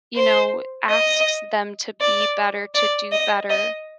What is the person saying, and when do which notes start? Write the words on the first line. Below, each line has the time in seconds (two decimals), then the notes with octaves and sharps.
you know, asks them to be better, to do better,
0.16 C5
0.90 D#5
2.01 D5
2.75 D5
3.12 D#5
3.50 D#5